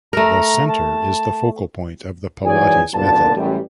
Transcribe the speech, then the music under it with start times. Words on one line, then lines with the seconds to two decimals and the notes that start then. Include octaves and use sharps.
The center is the focal point of the Pilates method.
0.13 A3 A#4 A#5
0.68 A5
2.44 G#2 E3 F#3 G#4 D5 G#5
2.93 F#1 B1 A#2 D3 A#4 A5
3.36 A1 F#2 G3